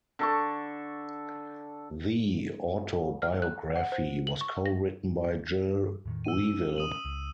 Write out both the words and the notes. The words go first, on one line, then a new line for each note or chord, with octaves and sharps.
The autobiography was co-written by Gil Reavill.
D3 A4 C#6
F6
F#6
F#5
C5
F#7
C#6
A#6
E2 A2 D#3
E6 D#7
C#4
D#6 D#7 F#7
C#2